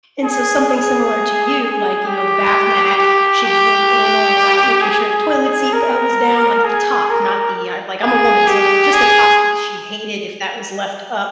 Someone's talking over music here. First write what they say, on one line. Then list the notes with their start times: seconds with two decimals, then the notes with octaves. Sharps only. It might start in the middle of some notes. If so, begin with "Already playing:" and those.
And, so something similar to you, like, you know, the bath mat, she was really anal about making sure the toilet seat g was down at the top, not the like I'm a woman, so just the top piece, she hated if that was left up.
0.23 G#4
0.69 G#4
1.60 G#4
2.06 G4
2.98 G4
3.44 G4
4.81 G#4
5.73 A#4
6.64 G#4
7.10 A#4
8.02 G#4
8.47 G4
8.93 G#4